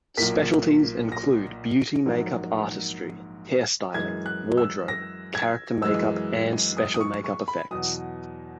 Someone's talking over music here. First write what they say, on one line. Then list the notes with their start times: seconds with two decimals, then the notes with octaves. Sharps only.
Specialties include beauty make-up artistry, hairstyling, wardrobe, character make-up and special make-up effects.
0.17 B1 A#2 A#3 B6
1.12 A#6
2.06 A#1 G#2 F#3 A#3
3.95 F#2 E3 G#3 G#6
4.26 F#6
4.57 E6
4.88 A#6
5.35 G#6
5.82 F#2 E3 G#3 E6
6.77 D#6
6.94 D#6
7.00 C#6
7.24 C#6
7.48 B5
7.71 E2 B2 F#3 D#6